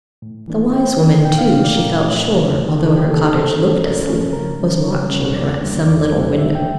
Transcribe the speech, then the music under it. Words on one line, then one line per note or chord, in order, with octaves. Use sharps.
The wise woman, too, she felt sure, although her cottage looked asleep, was watching her at some little window.
A2
E3 A#3 D4
A2 G5
E3 A#3 D4
A#2 G5
F5
F3 A3 D4 F5
D5
A#2 A#4
F3 A3 D4
C#3
E3 A#3
C#3 A4
G4
E3 A#3
A4
G2 A4
F3 C#4
G2 A#4
F3 C#4
C#3 A#4
G3 C#4
C#3 C#5
G3 C#4
E2 D5
E3 G3 A#3 D4
E2 D5
E3 G3 A#3 D4
A2 E5
G5